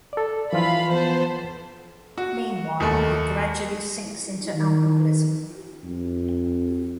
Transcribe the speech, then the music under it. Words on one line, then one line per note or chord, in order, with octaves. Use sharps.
Meanwhile, he gradually sinks into alcoholism.
A4 D5
E3 F3 F4 F5 B5
B3 C5 A5
F#4
D#2 A3
D#3
F2